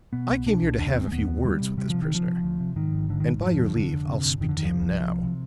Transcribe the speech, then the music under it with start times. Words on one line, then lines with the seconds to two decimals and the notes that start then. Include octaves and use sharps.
"I came here to have a few words with this prisoner, and by your leave, I'll speak to him now."
0.13 B2 B3
0.30 C2
0.46 B2 D4
0.62 C2
0.78 D#2 D4
0.89 C4
0.95 F1
1.01 C4
1.08 G#3
1.12 D#2 B3
1.28 D#2
1.44 D2 G3
1.61 C3
1.77 C3 G3
1.90 C3 F3
2.02 D#3
2.10 C3 F3
2.27 C3
2.43 D2
2.60 C3
2.76 G#2 D#3
2.93 G#1
3.09 G#2 D3
3.20 D#3
3.26 G#2
3.41 F1 F3
3.58 D3
3.75 F1 D3
3.92 F1
4.08 C3
4.24 G1
4.41 F2 D#3
4.49 D3
4.57 F2 D#3
4.65 F3
4.74 C2
4.90 C2
5.07 C3
5.23 C3